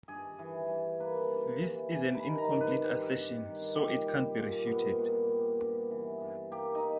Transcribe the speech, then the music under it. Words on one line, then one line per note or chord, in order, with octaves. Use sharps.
This is an incomplete assertion, so it can't be refuted.
G2 G#4
E3
G2
A#3 B4
G2
E3
G2 G#5
B5
D#3
A#5
G2
B4
G3
G2
D#3
A#2 G4
G3
A#2
B3
A#2
G3
G2
E3
G2
A#3 G4
D#4